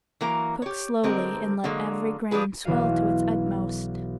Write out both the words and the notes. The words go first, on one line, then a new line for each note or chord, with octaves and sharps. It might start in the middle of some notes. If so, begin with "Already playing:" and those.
Cook slowly and let every grain swell to its utmost.
E3 F#3 A#3 A#4 A#5
G4 C#5
D3 F#3 G#3 C4 G4 A#4
D3 F#3 G#3 A#3
F3 D4 G4 G#4 B4
B1 E3 F#4 F5 D#7